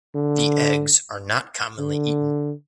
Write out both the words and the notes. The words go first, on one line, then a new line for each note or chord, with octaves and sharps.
The eggs are not commonly eaten.
D3
D3